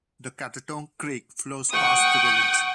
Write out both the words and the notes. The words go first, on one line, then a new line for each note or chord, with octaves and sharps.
The Catatonk Creek flows past the village.
F#5 G5 C#6 D#6